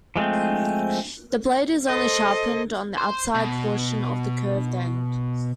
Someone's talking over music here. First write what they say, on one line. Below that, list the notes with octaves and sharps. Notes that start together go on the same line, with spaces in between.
The blade is only sharpened on the outside portion of the curved end.
F3 G#3 A3 C4
A4 C5 D#5
C5
B2